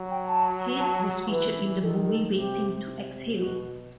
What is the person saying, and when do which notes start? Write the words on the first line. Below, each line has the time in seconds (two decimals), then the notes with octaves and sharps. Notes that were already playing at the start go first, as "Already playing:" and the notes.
"Head" was featured in the movie "Waiting to Exhale".
Already playing: F#3
0.10 G5
0.27 A5
0.79 A5
1.31 E3 B4
1.82 D#3 A4
2.08 A4
2.34 C3 G4
3.37 B2 F#4